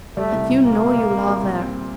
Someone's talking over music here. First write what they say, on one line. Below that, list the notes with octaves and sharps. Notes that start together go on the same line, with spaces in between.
"But you know you love her."
G3 A3
C2
C2
A#2 A#3
C4
A#2
C4
G3
A#2
C4